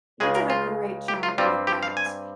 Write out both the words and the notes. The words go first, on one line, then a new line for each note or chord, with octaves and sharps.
He did a great job with it,
C#2 C#3 G#3 G#4
A#4
F4
G4
F4
G2 G3 C4 F4
G4
F5
G#5